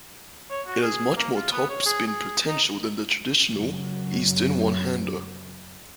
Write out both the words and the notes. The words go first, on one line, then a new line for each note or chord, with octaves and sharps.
It has much more topspin potential than the traditional Eastern one-hander.
C#5
F#4
G#4
A#3
F4
B3
C#5
G#4
G#4
D#4
F#2 C#3 F#3